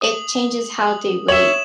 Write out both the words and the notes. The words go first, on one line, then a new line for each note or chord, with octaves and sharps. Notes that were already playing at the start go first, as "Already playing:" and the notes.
it changes how they wait,
D#6 F#7
C#5 E5 E7 F#7